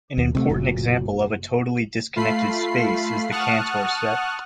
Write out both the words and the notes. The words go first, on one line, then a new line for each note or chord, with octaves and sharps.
An important example of a totally disconnected space is the Cantor set.
D#2
C3 F#3 A3
F#1 A#2 F#3
A3 F4 B5 C7
F#5 A5 C#6 D#6 F6 F#6